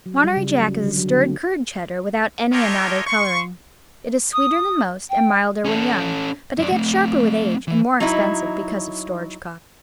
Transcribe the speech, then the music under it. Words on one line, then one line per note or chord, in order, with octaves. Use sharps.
Monterey Jack is a stirred curd Cheddar without any annatto coloring. It is sweeter than most and milder when young, but it gets sharper with age and more expensive because of storage costs.
F#3
G3
C#3
F#3
D3
F#3
D3
A#3
F4 G4 A4 A#4 C#5 D#5
C6 C#6
D#6
G5
C#4 A4
F#2 D5
A3 C4
E3
F#3 D#4 E4